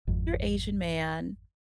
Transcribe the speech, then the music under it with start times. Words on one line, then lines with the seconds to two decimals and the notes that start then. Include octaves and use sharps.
Asian man
0.07 G#1 F2